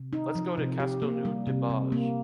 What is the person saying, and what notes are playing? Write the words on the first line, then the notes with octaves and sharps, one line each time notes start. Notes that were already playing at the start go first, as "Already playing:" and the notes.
Let's go to Castellnou de Bages.
Already playing: C3
D#4
F3
C3
G4
A#3
G3
C3
C3
A#3